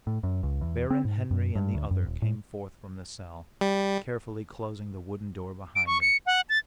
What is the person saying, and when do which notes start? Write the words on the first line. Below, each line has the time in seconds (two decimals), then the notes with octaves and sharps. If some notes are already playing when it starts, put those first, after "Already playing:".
Baron Henry and the other came forth from the cell, carefully closing the wooden door behind them.
0.07 A2
0.23 F#2
0.43 C#2
0.61 E2
0.90 C4
1.05 G#2
1.31 F#2
1.55 G2
1.75 D2
1.91 F#2
2.06 D#1
2.22 A2
3.61 G3
5.76 D7
5.87 C#6
6.01 C#7
6.26 F#5
6.49 A6